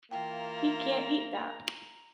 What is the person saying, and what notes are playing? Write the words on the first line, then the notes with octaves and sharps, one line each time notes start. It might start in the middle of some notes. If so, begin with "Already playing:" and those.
He can’t eat that.
E3 A#3 E4 F4 G5 A#5